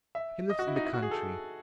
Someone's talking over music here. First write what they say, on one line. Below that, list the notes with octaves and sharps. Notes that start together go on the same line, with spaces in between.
He lives in the country.
E5
D#5
F#4
E4
D#4
E4
F#4
G#4
A4